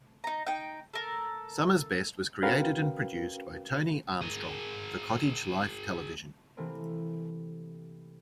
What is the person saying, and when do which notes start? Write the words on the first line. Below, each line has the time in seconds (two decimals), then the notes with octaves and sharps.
Summer's Best was created and produced by Tony Armstrong for Cottage Life Television.
0.24 D#4 A#5
0.47 D#4 G5
0.94 A4 A#4
2.42 C#4 F#4 A#4 B4 F5 G5
4.22 G#4 A#4
6.57 C3 E3 A3 A#3 C4